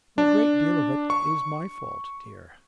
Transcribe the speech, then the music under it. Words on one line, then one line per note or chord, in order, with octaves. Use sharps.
'A great deal of it is my fault, dear.
D4
C#6